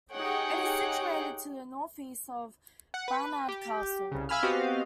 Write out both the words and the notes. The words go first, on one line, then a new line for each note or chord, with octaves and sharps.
It is situated to the north east of Barnard Castle.
D#4 G4 G#4 C#5 F#5 G5
F#5
B4
G4
C2 C#3
E5 F5 G#5 B5 E6 F6
B3 C4 F#4 G4 D#5 F5